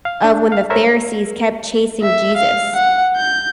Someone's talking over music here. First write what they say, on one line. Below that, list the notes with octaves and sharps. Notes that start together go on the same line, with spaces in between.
of when the Pharisees kept chasing Jesus
F5
D4
F5
A4 A#4 C5 C#5 E5
E5
F5
F#5
G6